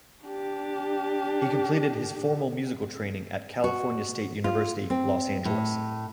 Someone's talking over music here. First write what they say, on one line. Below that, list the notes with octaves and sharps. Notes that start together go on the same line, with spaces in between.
He completed his formal musical training at California State University, Los Angeles.
D4 G4
F#4
F4
C4
A2